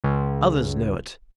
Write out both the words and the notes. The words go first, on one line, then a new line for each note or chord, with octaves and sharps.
Others know it.
C#2